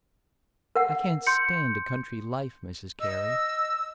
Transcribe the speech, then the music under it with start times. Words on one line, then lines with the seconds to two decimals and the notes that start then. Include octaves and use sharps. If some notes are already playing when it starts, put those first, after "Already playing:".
I can't stand a country life, Mrs Carey.
0.76 A#4 F#5
1.27 C6 G6 C#7
3.00 D#5 E6